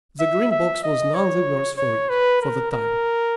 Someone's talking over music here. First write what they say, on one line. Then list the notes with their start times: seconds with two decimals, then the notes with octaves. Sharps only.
The Green Box was none the worse for it, for the time.
0.20 E5
0.51 E5
0.83 D#5
1.14 C#5
1.78 C#5
2.09 B4
2.42 A#4
2.72 A#4